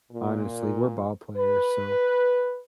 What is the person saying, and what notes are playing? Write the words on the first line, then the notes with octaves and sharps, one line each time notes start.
honestly, we're ball players, so,
A#2
B4